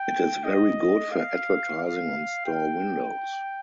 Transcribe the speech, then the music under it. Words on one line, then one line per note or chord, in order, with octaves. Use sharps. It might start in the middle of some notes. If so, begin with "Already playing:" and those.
It is very good for advertising on store windows.
Already playing: G5
D#5
F5
F5
G5